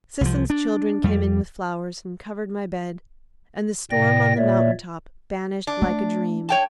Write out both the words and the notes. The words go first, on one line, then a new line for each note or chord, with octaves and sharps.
Sisson's children came in with flowers and covered my bed, and the storm on the mountaintop banished like a dream.
C2 F3
D4
F2 G3
A2 C3 D5 G5 A#6
A#2 A#3 C#5 D5 E5
D4
A3
C#5 G5 A5